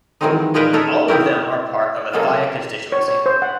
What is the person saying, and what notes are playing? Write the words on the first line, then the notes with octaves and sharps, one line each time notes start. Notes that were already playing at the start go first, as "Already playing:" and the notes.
All of them are part of Othaya Constituency.
D#3 E3 F#3 G#3 C4 D#4
A#2 G#3 D#4 A#4 B4 G5
C#4 D#4 A4 A#4 C#5 E5
B3 C4 E4 G4 A#4
B2 F#3 G#3 A#3 C#4 A4
C#5
C#5
C5
F#5